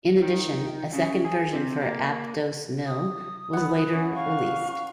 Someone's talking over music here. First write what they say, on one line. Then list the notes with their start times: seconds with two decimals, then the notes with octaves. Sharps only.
In addition, a second version for "Ape Dos Mil" was later released.
0.22 D#3
0.93 C#3
1.25 G#4
1.53 C3
1.81 A#3
2.86 D#6
3.53 B3 F#5
3.93 C#4
4.15 F5 C#6